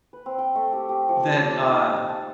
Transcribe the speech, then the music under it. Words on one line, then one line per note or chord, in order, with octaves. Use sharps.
that, uh,
B4
C4
G5
A3
G4
G4
F3
C5
D6
D#4
A5